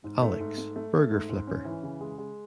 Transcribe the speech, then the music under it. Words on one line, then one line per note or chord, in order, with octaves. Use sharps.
Alex, burger flipper.
G#2
A3
G#2
A3
A3
A3
G#2
G#2
C#4
E3
C#3
G#3
G#3